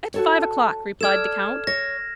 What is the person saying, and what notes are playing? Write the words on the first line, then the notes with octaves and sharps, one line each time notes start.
"At five o'clock," replied the count.
F#4 A4 C#5
A4 D5 F6 G#6 E7
C#5 A#6